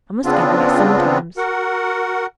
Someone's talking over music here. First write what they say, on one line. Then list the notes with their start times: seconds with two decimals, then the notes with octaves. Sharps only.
I must give way sometimes.
0.24 C#3 B3 C4 D4 F4
1.37 F#4 A#4 F#5